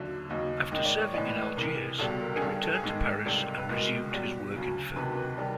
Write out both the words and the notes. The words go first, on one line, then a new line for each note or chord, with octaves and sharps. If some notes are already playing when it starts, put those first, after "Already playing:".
After serving in Algiers, he returned to Paris and resumed his work in film.
Already playing: D#2 D3 F#3 E5
D#2 C#3 F#3 D#5
G#2 D#3 G#3 D#5
D5
C#5
A2 E3 G#3 D5
B4
B4
C2 C3 E3 A#4
C#2 B2 G3 A4
A#4
G#4
G2 D#3 G3 A4
A4
G#4
G#2 D#3 G#3 A4
C#2 C3 D#3 G3 A4
B4
C2 B2 G#3 A#4
E2 B2 G3
D2 C#3 F#3
D2 C3 D#3 F#3 B4
B4
C3 D#3 G3